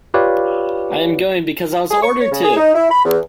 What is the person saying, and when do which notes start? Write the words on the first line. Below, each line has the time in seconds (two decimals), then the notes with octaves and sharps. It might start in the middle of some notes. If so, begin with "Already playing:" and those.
I am going because I was ordered to!
0.14 F4 G4 B4 C#5 D5 F5
1.91 G#4
2.02 C#6
2.19 C#5
2.31 C#3
2.43 G#4
2.57 D#4
2.75 E4
2.91 B5
3.05 E2